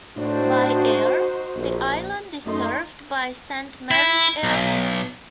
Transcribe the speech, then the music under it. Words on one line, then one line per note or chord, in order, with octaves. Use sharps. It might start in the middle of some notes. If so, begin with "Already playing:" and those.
By air, the island is served by Saint Mary's Airport.
A2 D4 D#4 F#4 C5
A#1
F#2 A3 D#4 C6
E4
B1